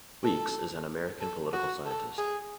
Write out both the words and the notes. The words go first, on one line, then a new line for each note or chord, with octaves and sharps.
Weeks is an American political scientist.
A4
A4
F#4
A4
G#4